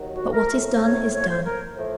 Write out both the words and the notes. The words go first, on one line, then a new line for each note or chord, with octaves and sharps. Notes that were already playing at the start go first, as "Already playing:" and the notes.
But what is done is done!
Already playing: D#2 D#3 F#3
F#4
A#4
A2 F3 A3
C5
C#5
C#5
C5
A#4
A2 F3 A3